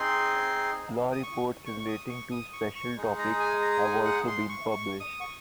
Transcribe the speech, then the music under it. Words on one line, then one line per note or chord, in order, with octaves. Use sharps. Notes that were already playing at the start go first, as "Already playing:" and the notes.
Law reports relating to special topics have also been published.
Already playing: C4 D#4 G#4 C6
D#6
C#6
C#6
C#6
D#6
C#6
D#6
C#6
C#6
G#3 D#4 G#4
A#5
G#5
A#5
G#5
F#5
C6
C#6
C#6
D#6
C#6